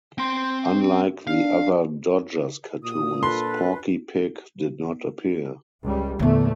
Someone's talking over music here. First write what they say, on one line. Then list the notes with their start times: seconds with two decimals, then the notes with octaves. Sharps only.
Unlike the other Dodgers cartoons, Porky Pig did not appear.
0.18 C4 C6
1.27 D4 F5
2.83 A#2 D#6
3.23 D4 F4 A4 B4 C6
5.83 C#2 G3
6.19 A#1 E2 D3 A3 B3